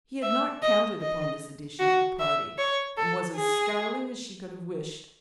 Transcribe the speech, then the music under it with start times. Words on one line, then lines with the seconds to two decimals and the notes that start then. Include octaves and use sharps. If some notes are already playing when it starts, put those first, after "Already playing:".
He had not counted upon this addition to the party, and was as scowling as she could have wished.
0.22 E5
0.63 D#5
1.01 D#5
1.79 F#4
2.19 E5
2.58 C#5
2.97 A4
3.36 G#4